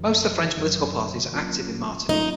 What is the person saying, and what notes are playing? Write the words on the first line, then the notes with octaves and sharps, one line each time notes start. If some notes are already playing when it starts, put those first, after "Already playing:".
Most of the French political parties are active in Martinique.
Already playing: F#2 D#3 F#3
F#2 D#3 F#3
D#3 F#3 A#3 C#4 F4
D#3 F#3 A#3 C#4 D#4 F4